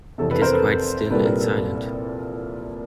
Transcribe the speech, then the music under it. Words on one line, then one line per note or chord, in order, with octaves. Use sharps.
It is quite still and silent.
F1 E2 C3 A4
A4 B4
A#4 C5
A4 B4
C2 A#2 G3 A#3 A4 B4
A#4
A4